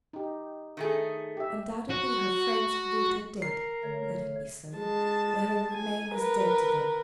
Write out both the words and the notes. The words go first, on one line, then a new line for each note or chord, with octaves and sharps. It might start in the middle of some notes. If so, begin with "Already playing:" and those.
Undoubtedly her friends believed her dead--let it be so--let her remain as dead to them.
D#4 G4
D#3 A3 G#4
G4 E5
F#4
A#4 C7
D3 A3 C#5
G#3 A5
G#5
A#4 B4